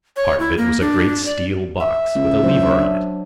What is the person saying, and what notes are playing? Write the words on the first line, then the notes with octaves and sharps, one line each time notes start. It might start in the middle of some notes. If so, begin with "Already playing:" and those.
Part of it was a great steel box, with a lever on it.
C#5
E4
A#3
D4
D5
E5
C#2
F#3 D4 C5
D4